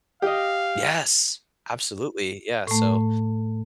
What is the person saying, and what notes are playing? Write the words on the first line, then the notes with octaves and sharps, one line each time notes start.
Yes, absolutely, yeah, so,
G4 D#5 F5
A2 A3